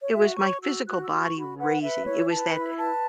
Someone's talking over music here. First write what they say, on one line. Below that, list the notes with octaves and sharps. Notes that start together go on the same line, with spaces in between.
it was my physical body raising. It was that
C#5
F#4 E5
C#5 C#6
F#4 E6
F#4 F#6
E6
F#4
C#6
F#4
B5
B4 F#5
B4 E5
E4 C#5
B4 A5
E4 B5
B4 A5